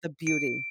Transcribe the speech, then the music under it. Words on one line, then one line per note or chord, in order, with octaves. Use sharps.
the beauty.
D7